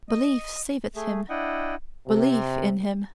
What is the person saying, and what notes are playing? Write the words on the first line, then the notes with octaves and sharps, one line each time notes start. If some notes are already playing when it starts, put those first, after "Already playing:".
Belief saveth him; belief in him.
D#5
A3 G#4
D4 E4 D#5 F#5 G5
C3